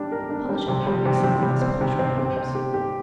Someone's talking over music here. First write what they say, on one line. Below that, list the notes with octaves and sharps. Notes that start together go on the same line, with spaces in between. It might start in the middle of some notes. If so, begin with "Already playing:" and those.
Polish up or make some one else polish my arms.
Already playing: G3 D4
A#4
D4
G3
C3
G3
C3
C3
G3
C4
C3
C4
C3
C4
G4
G4